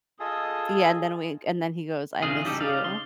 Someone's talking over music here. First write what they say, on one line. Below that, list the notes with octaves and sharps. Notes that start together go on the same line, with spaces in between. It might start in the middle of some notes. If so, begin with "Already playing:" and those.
yeah, and then we and then he goes, "I miss you,
F4 G#4 A4 D#5
C#3 E3 D#4 F4 G#4
G3 D#4 G4 A4
C#3 D#4 D5 F5
C6